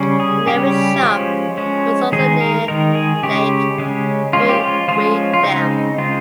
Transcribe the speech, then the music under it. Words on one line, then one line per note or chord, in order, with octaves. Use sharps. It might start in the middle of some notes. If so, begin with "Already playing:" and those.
The nearest shop is also near Lake Vyrnwy Dam.
Already playing: C#3 G3 C#4
G#4
C#3 G3 C#4 G4
F3 G#3 C#4
F3 G#3 C#4
D#3 G#3 D#4 G#4
A#4
D#3 G#3 D#4 A#4
G#4
C#3 G#3 C#4 G4
C#3 G#3 C#4
F3 G#3 C#4 F4
G4
F4
F3 G#3 C#4 F4
F4
C#3 G#3 C4 D#4
C#3 G#3 C4 F4